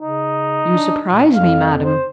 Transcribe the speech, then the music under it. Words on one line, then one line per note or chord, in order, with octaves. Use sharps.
"You surprise me, madam."
C#3 D#4
D4
A#2
F2 F5
C5